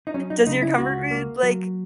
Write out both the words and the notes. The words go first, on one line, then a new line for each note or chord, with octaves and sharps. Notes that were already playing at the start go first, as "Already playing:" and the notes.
Does your comfort food, like,
D#4
F#3 C#4
D#4
C#3 D#4
E4
C#2 F#4
A#3
F#3